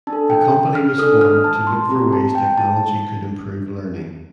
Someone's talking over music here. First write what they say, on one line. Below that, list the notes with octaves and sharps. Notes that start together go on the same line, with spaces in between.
The company was formed to look for ways technology could improve learning.
D4 A5
A4
G5
F6
D4 A4 D#6
F6
A5
C6
C4 G4 A#5
A5
G5
A5